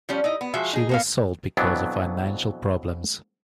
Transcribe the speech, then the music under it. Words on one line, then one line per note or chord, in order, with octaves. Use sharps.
She was sold because of financial problems.
F3 G3 C#4
D#4 E4 D#5
B3
F3 G#3 F#4 E5
D#4 G#4
A#3 B3 F5
F2 B2 E3 F#3 B3 D4